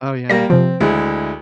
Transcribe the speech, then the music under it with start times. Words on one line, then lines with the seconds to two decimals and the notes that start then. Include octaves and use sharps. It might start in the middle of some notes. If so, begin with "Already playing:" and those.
Oh, yeah.
0.29 G3 A#3 A#6
0.50 C3 F3 C4
0.80 D2 G#3 E4